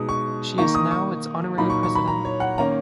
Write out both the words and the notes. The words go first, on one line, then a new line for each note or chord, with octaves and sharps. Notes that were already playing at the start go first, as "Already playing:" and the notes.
She is now its Honorary President.
Already playing: B2 G#3 D#4 D#6
C#6
D#3 A#3 D#4 C#6
D#6
C#6
A#2 F#3 A#3 D#4 B5
C#6
C#6
B5
A#5
C#5
F#5
D#3 A#3 C#4 A#5